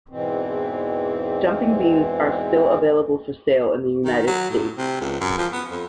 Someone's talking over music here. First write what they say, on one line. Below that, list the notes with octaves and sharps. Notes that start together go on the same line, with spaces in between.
Jumping beans are still available for sale in the United States.
E2 G#2 B2 E3 C4
D#3
F#3
A2
C3
C#2
F#2
F3
B3
F2